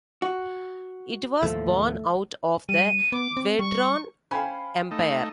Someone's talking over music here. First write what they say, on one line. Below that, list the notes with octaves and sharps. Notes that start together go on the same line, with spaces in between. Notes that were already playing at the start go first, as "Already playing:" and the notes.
It was born out of the Vedran Empire.
F#4
D#2 A2 F3 A3
G3 D#7
B3 D6
C4
G3 C#6
C#4 C5 F5 G5 G#5 B5
A3 D#4